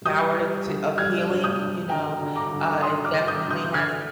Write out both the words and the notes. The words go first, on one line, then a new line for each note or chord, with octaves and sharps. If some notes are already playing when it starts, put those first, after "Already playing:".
power to to of healing, you know? Uh, it definitely has
G3 D#6 G6
G3
D3
G3 F6 G#6
D4
D#6 G6
D4
D3 G5 A#5
D3
A#5 D6
D3
D4 C6 D#6
D6 F6
D3
D#6 G6
D3
D#6 G6
G6
D3 F6 G#6